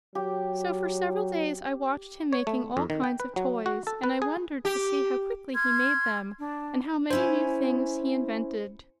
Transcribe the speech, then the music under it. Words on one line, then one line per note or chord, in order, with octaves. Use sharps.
So for several days I watched him making all kinds of toys, and I wondered to see how quickly he made them, and how many new things he invented.
F#3 G4
C#5
A3
F2
D#3
G5
B4
F#3
F#4
A4
B4
G#4
G4
C6 F6 G#6
D4
C#4 E4 C5 G#5